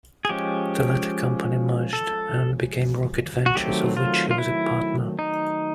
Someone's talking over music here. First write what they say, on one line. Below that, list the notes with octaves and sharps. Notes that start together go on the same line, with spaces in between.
The latter company merged and became Rocket Ventures, of which he was a partner.
G#4
F3 G#3 C#4 G4
A4
F#4
D#3 F#3 A3 C4 G4
F4
F4
E4
D#4